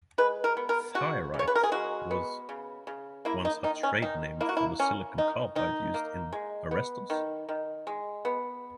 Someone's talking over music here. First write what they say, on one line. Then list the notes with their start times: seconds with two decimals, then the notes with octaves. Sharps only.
"Thyrite" was once a trade name for the silicon carbide used in arresters.
0.18 G#3 B4
0.44 A#4
0.57 B3
0.69 A#4
0.95 C#3 F#4
1.34 C#3
1.39 C#5
1.48 B4
1.55 A#4
1.63 G#4
1.72 G#3 F#4
2.11 B3
2.49 C#3
2.87 C#3
3.25 A#3 E4
3.45 D#4
3.64 D#3 D#4
3.83 C#4
4.02 D#3 D#4
4.41 A#3 E4
4.49 F#4
4.57 E4
4.79 A#3 C#4
5.18 D#3 D#4
5.55 D#3 D#4
5.94 A#3
6.32 G#3
6.71 B3
7.10 D#3
7.49 D#3
7.87 G#3
8.25 B3